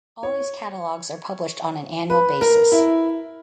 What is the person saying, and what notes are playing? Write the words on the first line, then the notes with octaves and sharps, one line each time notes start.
All these catalogues are published on an annual basis.
C#5
B4
A#4
E4